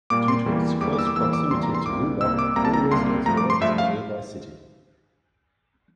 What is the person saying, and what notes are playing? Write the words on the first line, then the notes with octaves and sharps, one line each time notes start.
Due to its close proximity to Lubbock, many residents work in the nearby city.
A#2 G3 A#3 D6
C6
E2 E3 G3 A#3
E2 E3 G3 A#3 D6
D6
E6
D6
E2 E3 G3 A#3 E6
D6
E2 E3 G3 A#3 C6
A#5
C6
C2 C3 G3 A#3 D6
C2 C3 G3 A#3 E6
D6
C2 C3 G3 A#3 A#5
A5
A#5
C2 C3 G3 A#3 C6
G2 F3 A3 A#5
D6
C6
G2 F3 A3 E5
F5